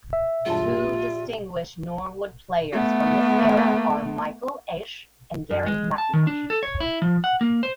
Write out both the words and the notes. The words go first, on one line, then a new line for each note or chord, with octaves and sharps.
Two distinguished Norwood players from this era are Michael Aish and Garry McIntosh.
E5
E1 G2 F4 A5
A#1 A#3 G4
A3 B3
F#2
G#3
A5
D#3
D4
A4
C#5
E4
F3
F#5
A#3
C5